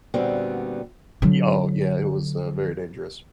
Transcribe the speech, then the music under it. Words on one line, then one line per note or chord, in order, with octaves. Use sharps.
Y oh, yeah, it was, uh, very dangerous.
A#2 D3 G3 B3 C4 F#4
D3 F#3